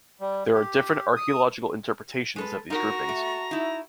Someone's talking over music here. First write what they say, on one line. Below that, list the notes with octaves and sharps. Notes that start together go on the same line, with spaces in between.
There are different archaeological interpretations of these groupings.
G3
G4
D#6
G#3 A4 B4
D#4 F#4 A#4 A#5
A3
D#4 E4